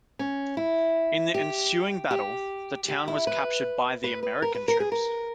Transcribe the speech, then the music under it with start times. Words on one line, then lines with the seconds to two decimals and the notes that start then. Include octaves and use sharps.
In the ensuing battle, the town was captured by the American troops.
0.19 C#4
0.57 E4
1.34 G4
2.11 G4
2.88 G4
3.08 E4
3.27 B4
4.04 B4
4.23 B4
4.42 A#4
4.55 B4
4.68 A#4
4.80 G#4
4.92 A#4